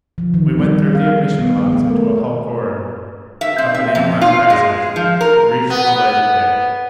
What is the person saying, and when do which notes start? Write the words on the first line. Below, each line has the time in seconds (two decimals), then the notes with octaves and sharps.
We went through the admission locks into a hull corridor, up an incline passage, and reached the lighted deck.
0.18 F3
0.34 D#3
0.59 G3
0.95 F5
1.17 G#4
1.39 B3
1.72 A3
1.90 A#4
3.41 E5
3.58 C4
3.75 E5
3.95 F2
4.22 F4
4.50 G#3
4.96 F3
5.21 A#4
5.70 B3